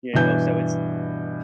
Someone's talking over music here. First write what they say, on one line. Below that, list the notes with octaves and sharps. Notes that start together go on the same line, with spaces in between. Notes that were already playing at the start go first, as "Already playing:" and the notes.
you know, so it's
G2 B2 E3 G6